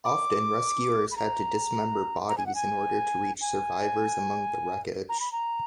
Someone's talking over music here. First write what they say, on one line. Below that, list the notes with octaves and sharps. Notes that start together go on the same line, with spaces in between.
Often, rescuers had to dismember bodies in order to reach survivors among the wreckage.
D6
B5
A#5
A#5
G#5
F#5
G#5
G#5
A#5
B5
A#5